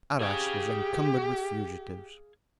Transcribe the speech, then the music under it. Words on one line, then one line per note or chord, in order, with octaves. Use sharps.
Arras was encumbered with fugitives.
G4 G#4 F5 G#5